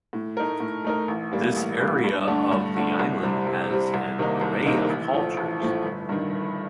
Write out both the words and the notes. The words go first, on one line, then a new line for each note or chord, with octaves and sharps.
This area of the Island has an array of cultures.
A2
A3 D#4 A#4
A2
A3 D#4 A#4
A1
A2 G3 A#3
A1
A2 G3 A#3
G2
D3 A3 D4
G2
D3 A3 D4
C2
C3 G3 C4
C2
C3 G3 C4
C2
C3 D#3 A#3 D#4
C2
C3 D#3 A#3 D#4
A1
A2 F3 A3
A1
A2 F3 A3
G1
G2 D#3
G1